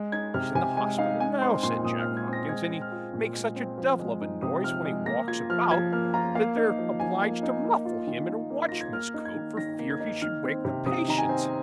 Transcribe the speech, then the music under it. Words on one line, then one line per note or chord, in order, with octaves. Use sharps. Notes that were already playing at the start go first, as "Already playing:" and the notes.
He's in the hospital now,' said Jack Hopkins, 'and he makes such a devil of a noise when he walks about, that they're obliged to muffle him in a watchman's coat, for fear he should wake the patients.'
Already playing: G#3
D#4 G#6
C3 F6
C3 G#5
G#3 G#5
D#4 F5
G#3 G#5
C4 C6
A#2 C6
A#2 D#6
F6
G#3
G#6
C4
A#6
G#3 G#6
C4
F6
F4
A#2
G#3
C4
F3
G#3
D#4
C3 D#6
F3 F6
G#3
A#3 A#6
F4 G#6
F3 F6
F3 G#6
A#3 F6
F4 A#5
A#3 F5
D#4
F3
F3 G#5
A#3
D#4
A#3
F4
D#3
D#3
A#3
F4 A#6
G#6
A#3 F6
D#4
G#6
D#3
D#3 A#6
A#3
G#6
D#4
D#3 F6
C4
C3
C3 D#6
D#3 A#5
G#5
C4